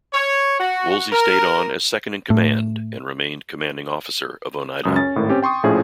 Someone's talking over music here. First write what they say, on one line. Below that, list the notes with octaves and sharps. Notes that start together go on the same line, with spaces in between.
Woolsey stayed on as second in command and remained commanding officer of "Oneida".
C#5
F#4
A#4
A2
C#2 F#2 D#6
C#4 A6
G#1 A2 A#4
C4 C#4 G4
G5 C6 C#6 D#6
A#1 A2 F3 C#4 G#4